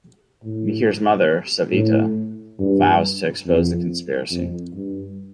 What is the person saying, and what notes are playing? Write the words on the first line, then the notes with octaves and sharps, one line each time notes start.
Mihir's mother, Savita, vows to expose the conspiracy.
A2
A2
G2
F2
F2
G2